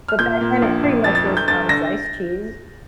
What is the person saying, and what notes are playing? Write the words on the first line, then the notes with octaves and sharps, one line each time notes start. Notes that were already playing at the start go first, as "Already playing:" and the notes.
But back then it pretty much was, um, sliced cheese,
F6
A#2 G6
A#2
A#1
A#1
F2 A6
A6
G1
G6
G1 A6
D3 A#6